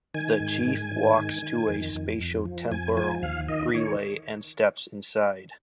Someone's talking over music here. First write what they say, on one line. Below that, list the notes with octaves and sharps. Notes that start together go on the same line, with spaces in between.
The Chief walks to a spatio-temporal relay and steps inside.
D#3 G#5
G#2
G#2
D#3
D#3
D#3
F2
F2
F2
F3
F2 G#5
F3 G#5
D#2 F5
D#3 D#5
D#3 C#5